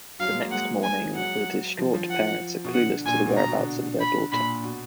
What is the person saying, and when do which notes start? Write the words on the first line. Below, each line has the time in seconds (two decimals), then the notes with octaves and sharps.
The next morning, the distraught parents are clueless to the whereabouts of their daughter.
0.19 F#3 F5
0.31 G#3
0.42 A#3
0.51 G#3 F#5
0.83 G#5
1.15 F#3 F#5
1.79 F3
1.94 F3
2.10 F#5
2.65 B2
2.74 D3 F#5
3.06 A#2 G#5
3.15 B2
3.26 B2
3.37 B2 A#5
3.48 B2
3.53 D3
4.01 B5
4.32 A#2 B5
4.64 B2